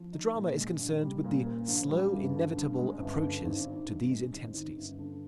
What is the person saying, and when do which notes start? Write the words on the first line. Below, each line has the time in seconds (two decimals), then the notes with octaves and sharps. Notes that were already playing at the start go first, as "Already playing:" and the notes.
The drama is concerned with the slow, inevitable approaches to these intensities.
Already playing: F3
0.13 D#4
0.35 A#2
0.57 G#3
0.79 A#1
1.02 G3
1.24 A#2
1.45 A#3
1.68 A#1
1.89 G3
2.12 G1
2.34 D3
2.56 G2
2.78 G#3
3.00 G1
3.22 D3
3.44 G#1
3.67 D#3
3.88 G2
4.10 G#3
4.33 G#1
4.54 D#3
4.77 G1
4.99 D3